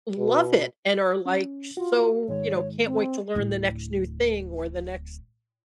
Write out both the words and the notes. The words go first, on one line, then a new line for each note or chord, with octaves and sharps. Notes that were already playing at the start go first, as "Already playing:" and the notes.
love it and are like, so, you know, “Can't wait to learn the next new thing or the next”,
B2
C#4
F4 F#4
G#2 D#3 G#3 C#5
C4
D1 E4